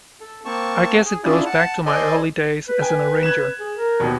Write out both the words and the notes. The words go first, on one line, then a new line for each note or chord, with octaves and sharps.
I guess it goes back to my early days as an arranger.
A4
A#3 C4 A5 C#6
G#4
C#4 D4 E4 F4 G#4 D5
F#5 A5
A4 C5 D5 D#5 G#5 C6
B4
B4 G5 G#5
F#6 G#6 E7
G#4
A#4
D#2 B2